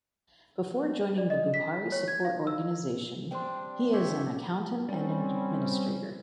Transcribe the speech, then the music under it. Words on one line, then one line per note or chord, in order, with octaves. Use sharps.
Before joining the Buhari Support Organisation He is an accountant and an administrator.
D5
D#5
B6
C#5
G#6
F5
E6
G3 C4 D4 G5 C6
D#2 G#2 C#3 F3 G4 C#5 E5
G3 C4 C#4